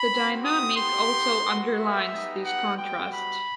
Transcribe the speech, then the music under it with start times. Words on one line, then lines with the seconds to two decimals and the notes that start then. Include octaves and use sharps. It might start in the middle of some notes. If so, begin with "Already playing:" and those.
The dynamic also underlines this contrast.
Already playing: B5
0.08 C4 F#4
0.42 D#6
0.75 B3 D#4 G4 C6
1.42 B3 F#4
1.76 E5
2.10 B3 D#4 G4
2.43 F#5
2.76 G3 B3 F#4 G5
3.11 B5